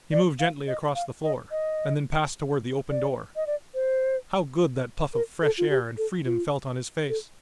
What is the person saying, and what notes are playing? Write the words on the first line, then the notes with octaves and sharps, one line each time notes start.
He moved gently across the floor, and then passed toward the open door. How good that puff of fresh air and freedom felt on his face!
D5
F5
D#5
F5
D#5
D#5
D5
D#5
D5
C5
A#4
A4
F4
G4
A4
F4
A4